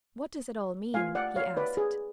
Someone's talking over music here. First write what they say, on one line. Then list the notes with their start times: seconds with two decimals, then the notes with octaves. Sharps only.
"What does it all mean?" he asked.
0.94 A3 F4 F5 G#5
1.15 D5 F#5
1.36 C#5 F5
1.57 B4 D5
1.77 G#4